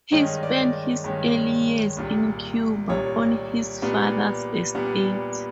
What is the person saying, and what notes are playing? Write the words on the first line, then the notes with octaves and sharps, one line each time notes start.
He spent his early years in Cuba on his father's estate.
G2 D#3 G#3 C#4 D#5
D5
D5
G2 D#3 G#3 C#4
C2 A#2 G3
C2 A#2 G3 C#5
A#2 G3 B3 D4
A#2 G3 B3 D4